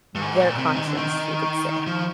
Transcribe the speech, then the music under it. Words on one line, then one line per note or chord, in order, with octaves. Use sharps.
their conscience, you could say.
G2
G#2
A#2
C3
D#3
D3
D#3
F3